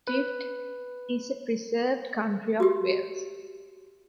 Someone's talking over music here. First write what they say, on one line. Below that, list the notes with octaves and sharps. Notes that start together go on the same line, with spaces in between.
Dyfed is a preserved county of Wales.
B4
F#4 G4